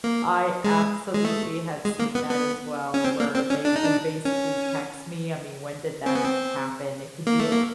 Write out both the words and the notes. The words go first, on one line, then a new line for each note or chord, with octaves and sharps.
I absolutely have seen that as well, where they can basically text me, I mean, when did that happen? It could be
A#3
G#3
G#3
A3
G#3
A#3
B3
B3
C#4
C4
A#3
C4
C#4
D4
D#4
D4
C#4
C4
B3
C4
A#3
A3
A#3